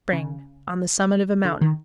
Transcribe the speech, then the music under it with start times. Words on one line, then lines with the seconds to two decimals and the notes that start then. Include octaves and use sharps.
Spring.--On the summit of a mountain.
0.13 C#3
1.45 D3
1.61 D#3